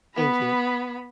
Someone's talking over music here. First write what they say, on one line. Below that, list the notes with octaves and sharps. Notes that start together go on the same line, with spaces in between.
thank you.
B3 B5